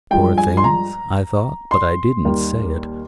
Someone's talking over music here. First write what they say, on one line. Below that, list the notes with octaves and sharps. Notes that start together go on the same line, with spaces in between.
"Poor things," I thought, but I didn't say it.
G2 F3 G#3 G5
G#5
C6
A#5
C6
D#2 D#3 G3 A#3